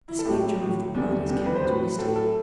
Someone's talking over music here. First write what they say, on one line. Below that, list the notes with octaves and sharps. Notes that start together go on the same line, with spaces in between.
The spectrum of the blood is characteristic.
E4
A4
A2 F#3 G4
A2 F#3
E2 D3 G3
E2 D3 G3 G4
B4
C5
A2 F#3 B4
A2 F#3 A4
A4